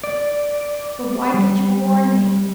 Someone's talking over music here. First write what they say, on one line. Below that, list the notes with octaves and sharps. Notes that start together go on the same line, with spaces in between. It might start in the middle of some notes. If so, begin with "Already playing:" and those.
But why did you warn me?
D5
G3